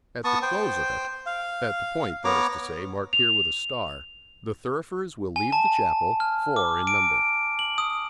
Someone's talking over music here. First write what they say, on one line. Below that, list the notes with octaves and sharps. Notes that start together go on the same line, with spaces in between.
At the close of it--at the point, that is to say, marked here with a star, the thurifers will leave the chapel, four in number.
B3 A5 C#6 D#6
C5 G5
F5
B3 C#5 A#5 D6
F7
G#5
A5
F6
D6
D7
F#7
D#6